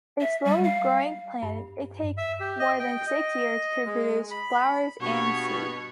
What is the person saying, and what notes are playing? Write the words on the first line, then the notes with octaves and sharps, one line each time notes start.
A slow-growing plant, it takes more than six years to produce flowers and seed.
E5
G3
F5
G2
E5
G4
D#5
G5
D#5
G#3
B5
G2 B2 C#5 C#6